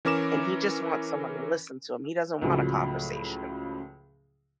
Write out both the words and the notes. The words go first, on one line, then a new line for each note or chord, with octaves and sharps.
and he just wants someone to listen to him, he doesn't want a conversation.
E3 C#4 A#4 D6 E7
C#2 A2 C#3 F3 F#3